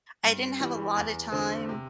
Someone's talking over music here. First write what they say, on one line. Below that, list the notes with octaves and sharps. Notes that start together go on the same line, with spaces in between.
I didn't have a lotta time
G2
E3 G3
E2
D3 C4
C3